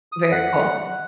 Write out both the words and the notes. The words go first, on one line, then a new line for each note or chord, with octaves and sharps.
Very cool.
D#6
F#5